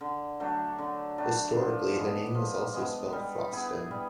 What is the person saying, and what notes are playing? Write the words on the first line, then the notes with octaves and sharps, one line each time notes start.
Historically, the name was also spelled "Frosten".
D3
F#3 A3 D4
D3
F#3 A3 D4
F3
G#3 B3
F3
G#3 B3
G3
B3 E4 G#4
G3